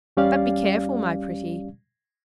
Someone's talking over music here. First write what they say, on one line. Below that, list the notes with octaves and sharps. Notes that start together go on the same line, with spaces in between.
But be careful, my pretty!
E2 G3 C#4 G4 D5 F5